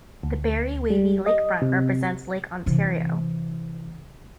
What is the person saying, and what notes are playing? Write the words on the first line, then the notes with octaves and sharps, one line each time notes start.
The barry wavy 'lakefront' represents Lake Ontario.
D2
G3
D#5
C3
C3 E3